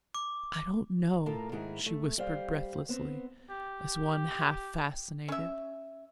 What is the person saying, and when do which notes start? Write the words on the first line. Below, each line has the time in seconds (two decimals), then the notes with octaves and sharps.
"I don't know," she whispered breathlessly, as one half-fascinated.
0.15 D6
1.26 A2 F4 A4 A#4 A#5
1.52 G#2 D#3 E4 G#4
1.86 A3
2.18 G3 C5 F5
2.89 B3 C4
3.50 G4
5.28 C#4 E5